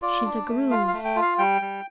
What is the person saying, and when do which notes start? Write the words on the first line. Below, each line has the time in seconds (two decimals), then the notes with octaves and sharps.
She's a Greuze.
0.02 F4 D5
0.25 D4
0.48 A3
0.71 F4 F5
0.88 F5
0.93 A3
1.05 G5
1.16 F4
1.22 F5
1.39 G3 G5
1.61 G3